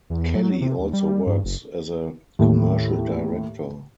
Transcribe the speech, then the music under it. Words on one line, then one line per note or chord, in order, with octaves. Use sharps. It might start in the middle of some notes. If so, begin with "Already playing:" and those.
Kelly also works as a commercial director.
E2
F#3
C3
D#2
G3
G2
F#1
D#2 A2